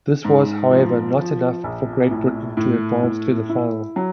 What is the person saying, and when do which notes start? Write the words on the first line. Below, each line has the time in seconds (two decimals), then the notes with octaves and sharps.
This was however not enough for Great Britain to advance to the final.
0.25 G#2
0.71 F3
1.18 F3
1.64 A#1
2.10 A2
2.57 A2
3.03 A2
3.49 E4
3.96 F#3